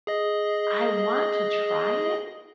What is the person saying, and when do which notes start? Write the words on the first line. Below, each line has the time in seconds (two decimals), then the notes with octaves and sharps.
I want to try it,
0.07 G#4 D#5